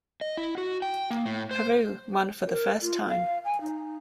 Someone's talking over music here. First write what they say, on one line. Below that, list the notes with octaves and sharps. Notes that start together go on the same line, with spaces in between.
Peru won for the first time.
D#5
E4
F#4
G5
A#3
A2
C5
A#4
F4
F5
G#5
D#4